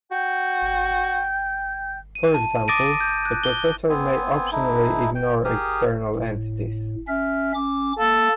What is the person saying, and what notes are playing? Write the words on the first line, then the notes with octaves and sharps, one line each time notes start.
For example, a processor may optionally ignore external entities.
F#4 G5 G6
D#7
A5
D6 D#6 A6 A#6 D7 D#7
G6
F#6
G7
B3 C4 G#5
A3 D#4 E4
G5
G4 G#4 A#4 D#6
A2
C#4 E5 F6
C#4 D6
A#3 A4